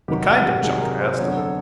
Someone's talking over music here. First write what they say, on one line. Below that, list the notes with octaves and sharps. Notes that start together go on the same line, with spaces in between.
"What kind of junk?" I asked him.
C3 D#3 F#3 G4
F#4
G4
C3 D#3 F#3 G#4
A#4
C5
F2 D3 F#3 B3 C#5
A4